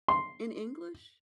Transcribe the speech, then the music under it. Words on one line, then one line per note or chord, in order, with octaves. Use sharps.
in English?
C6